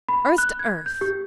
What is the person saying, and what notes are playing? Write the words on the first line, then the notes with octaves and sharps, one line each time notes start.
Earth to earth!
B5
F#6
G#6
G6
G4